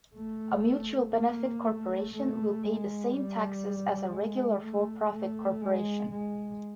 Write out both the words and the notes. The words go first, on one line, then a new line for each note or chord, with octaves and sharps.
A mutual benefit corporation will pay the same taxes as a regular for-profit corporation.
A3
A#3
A3
A3
G#3
G3
G#3
A3
A3
G#3
G#3